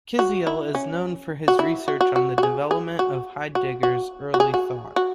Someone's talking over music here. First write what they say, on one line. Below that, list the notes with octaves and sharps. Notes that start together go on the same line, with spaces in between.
Kisiel is known for his research on the development of Heidegger's early thought.
F#4
E4
C#4
F#4
E4
F#4
F#4
F#4
F#4
G#4
G#4
F#4
F#4
F#4
F#4
G#4
F#4
F#4